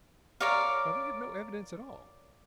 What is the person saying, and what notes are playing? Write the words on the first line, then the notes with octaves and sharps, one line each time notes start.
Why they have no evidence at all!
A#4 C#5 D5 F5